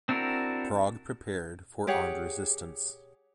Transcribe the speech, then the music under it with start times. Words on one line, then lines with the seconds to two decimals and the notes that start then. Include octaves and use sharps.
Prague prepared for armed resistance.
0.09 C4 D4 E4 F#4 A#4
1.87 G4 G#4 C#5 F#5